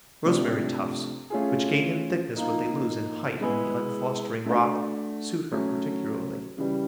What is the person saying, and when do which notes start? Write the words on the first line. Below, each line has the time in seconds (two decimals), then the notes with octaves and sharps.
Rosemary- tufts, which gain in thickness what they lose in height on the unfostering rock, suit her particularly.
0.25 C3 F3 A3 D4
1.30 A3 C#4 F4 G#4
2.36 F3 A#3 D#4
3.41 G#3 B3 E4 G#4
4.46 A3 D4 F#4
5.51 F#3 A3 C#4
6.57 C#3 E3 G3